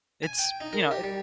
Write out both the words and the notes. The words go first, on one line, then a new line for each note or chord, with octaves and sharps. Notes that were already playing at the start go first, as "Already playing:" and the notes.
it's, you know, it
G#5
G5
D#4
A#4
G4
G3